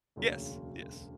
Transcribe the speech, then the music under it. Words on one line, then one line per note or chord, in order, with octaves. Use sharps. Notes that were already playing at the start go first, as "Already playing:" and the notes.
Yes, yes.
E1 D2 C#3 F#3 A#3